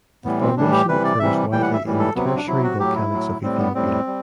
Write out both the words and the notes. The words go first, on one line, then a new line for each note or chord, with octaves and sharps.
The formation occurs widely in the Tertiary volcanics of Ethiopia.
A2 E3 G3 B3
C4
A2 E3 G3 D4
G4
C3 E3 G3 B4
D5
C3 E3 G3 E5
A2 E3 G3 G5
F#5
E5
A2 E3 G3
A4
C3 F#3 B3
C4
D4
C3 F#3 E4
F#4
A2 F#3 G4
E4
A2 F#3
A2 G3 C4
B3
A2 G3 C4
G3